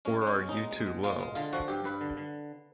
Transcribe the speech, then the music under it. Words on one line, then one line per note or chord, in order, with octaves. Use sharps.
Or are you too low?
G#3 C#4
G#3
C#4
B2
D#4
G#3
G#3
B2
G#3 F4
G#3
D3 F4
F3 F#4
G2 G4
G2 B4
D3
D3